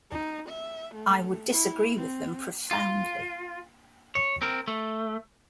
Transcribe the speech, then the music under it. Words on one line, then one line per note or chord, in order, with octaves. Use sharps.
I would disagree with them profoundly.
D#4
E5
A3
E4
C4
F4
C#5
C4 A#4
A3